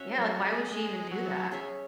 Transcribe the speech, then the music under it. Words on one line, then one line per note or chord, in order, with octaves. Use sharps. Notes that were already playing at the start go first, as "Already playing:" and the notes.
Yeah, like, why would she even do that?
Already playing: C#4 F#4 C#5 E5
F#3
G#3
G#3
F#3
C#4 G#4 C#5 E5